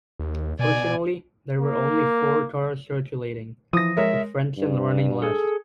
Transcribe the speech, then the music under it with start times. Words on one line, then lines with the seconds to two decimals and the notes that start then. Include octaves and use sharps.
Fortunately there were only four cars circulating, with Frentzen running last.
0.19 D#2
0.59 B2 D5 G#5
1.59 A#3
3.73 E3 F3 D#6 A#6
3.97 G#3 A#4 C#5 E5
4.57 G2
5.22 G#4 A4